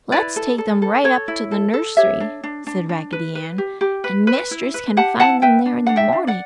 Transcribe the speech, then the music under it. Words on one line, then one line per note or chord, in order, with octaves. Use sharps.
"Let's take them right up to the nursery!" said Raggedy Ann, "And Mistress can find them there in the morning!"
E4 B4 D5
A4
A4
A4
A4 C#5
E4
A4
A4
G4 C#5 E5
D4
D4
D4
D4
B4
B4
G4
G4
B4
B4
E4
B4
G4 F#5 A5
E4 F#5 A5
B4 E5 G5
D4
D4 F#5
E5 G5
D4
D5 F#5